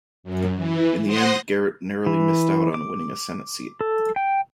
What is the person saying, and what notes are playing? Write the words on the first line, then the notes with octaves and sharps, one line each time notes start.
In the end Garrett narrowly missed out on winning a senate seat.
F#2
E3
C5 F#5 C6 D#6 A#6
E3
D6
A4
G5